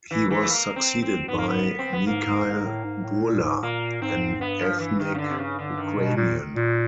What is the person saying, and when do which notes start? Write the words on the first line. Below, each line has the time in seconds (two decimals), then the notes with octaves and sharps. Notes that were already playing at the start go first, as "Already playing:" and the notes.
He was succeeded by Mikhail Burla, an ethnic Ukrainian.
0.11 E3
0.30 E3
0.43 A3
0.50 A#3
0.76 C4
1.02 C4
1.28 G#2 B3
1.38 A#3
1.48 B3
1.79 C4
1.93 B3
2.06 G#2 A#3
2.26 G#2
2.45 G#2
2.66 A2
2.84 G#2
3.04 A2
3.24 A#2
3.43 G#2
3.63 A#2 A#3
4.01 G#2 C4
4.41 G2 B3
4.61 F3
4.79 E3
5.00 D#3
5.14 C#3
5.18 D3
5.30 C3
5.38 C#3
5.59 D3
5.78 D#3
5.97 B2
6.16 A#2
6.56 A#2